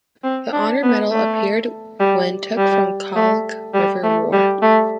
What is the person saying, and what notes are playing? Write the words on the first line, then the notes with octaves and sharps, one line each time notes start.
The honor medal appeared when took from Khalkh river war.
C4
D4
B3
A3
G3
G3
A3
G3
A3
G3
A3